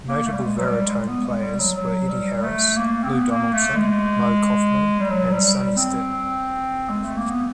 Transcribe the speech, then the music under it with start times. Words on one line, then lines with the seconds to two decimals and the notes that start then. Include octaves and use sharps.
Notable Varitone players were Eddie Harris, Lou Donaldson, Moe Koffman, and Sonny Stitt.
0.08 A#3
0.26 A3
0.33 G3
0.42 G#3
0.58 F#3
0.64 G3
0.87 G#3
1.08 B3
1.26 G#3
1.42 G3
1.59 F#3
1.76 F#3
2.09 G3
2.42 A3
2.77 A#3
3.04 C4
3.10 B3
3.31 A#3
3.53 A3
3.76 G#3
5.00 G3
5.10 F#3
5.32 G3
5.55 G3
5.77 C4
6.90 G#3
7.04 A3
7.17 A#3
7.31 B3